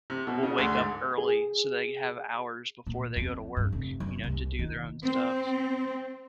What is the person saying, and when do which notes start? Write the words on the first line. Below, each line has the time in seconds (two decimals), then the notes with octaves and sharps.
will wake up early so they have hours before they go to work, you know, to do their own stuff,
0.10 C3
0.27 B2
0.43 C#3
0.58 D2
0.75 G#2
1.18 G#4
2.87 A#2
3.16 F2
3.57 G2
3.72 F1
4.00 F#2
4.23 C2
4.59 D#3
5.05 C4